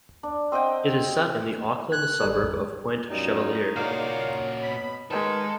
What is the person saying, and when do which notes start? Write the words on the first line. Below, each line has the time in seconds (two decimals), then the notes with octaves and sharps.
It is set in the Auckland suburb of Point Chevalier.
0.23 D4
0.52 C4 D#5 F#5 G5
1.92 F#6 G#6
2.20 G#1 G3 A4
3.09 F#2 A#2 D#3 G3 D#4
3.76 A#2 A#3 F4 F#4 C#5 D5
4.63 B2 B5
5.11 D#3 G#3 A4 B4